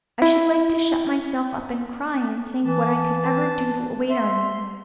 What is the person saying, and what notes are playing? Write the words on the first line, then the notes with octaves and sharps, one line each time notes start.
I should like to shut myself up and cry, and think what I could ever do to wait on you.
E4
E3 B4 A5
E5 C6